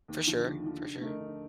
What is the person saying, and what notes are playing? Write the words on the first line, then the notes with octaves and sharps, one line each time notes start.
For sure, for sure.
D#2
D3 F3
D#2
D3 F3
D3
A3 D#4 A#4
D3